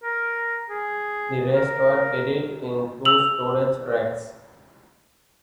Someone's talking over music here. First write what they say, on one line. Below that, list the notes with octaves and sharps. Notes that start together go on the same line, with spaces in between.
The rest were carried in two storage racks.
A#4
G#4
A#4
E6 F7 F#7